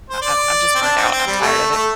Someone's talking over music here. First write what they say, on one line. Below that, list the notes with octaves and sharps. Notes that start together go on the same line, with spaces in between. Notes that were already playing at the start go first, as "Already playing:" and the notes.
I I'm just burned out. I'm tired of it."
C5
D5
C4
D4
C4
C4
G3
A3
A3